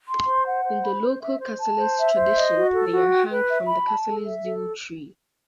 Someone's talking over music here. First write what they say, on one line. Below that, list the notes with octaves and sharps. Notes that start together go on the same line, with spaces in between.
In the local Cassilis tradition, they are hung from the Cassilis Dule Tree.
C6
C5
F#5
C5
B5
C5
E5
C5
A5
C5
E5
C5
D#5
F#4
A4
F#4
G5
B4
E5
B5
A5
A4
E5
A4